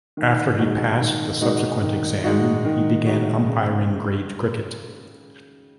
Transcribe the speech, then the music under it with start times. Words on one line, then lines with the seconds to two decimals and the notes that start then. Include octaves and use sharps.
After he passed the subsequent exam he began umpiring grade cricket.
0.17 D#3
0.59 G#3 D#4 F#4
1.00 D#3
1.41 G#3 D#4 F#4
1.82 D#3
2.24 G#3 D#4 F#4
2.65 D#3
3.07 G#3 D#4 F#4
3.48 C#3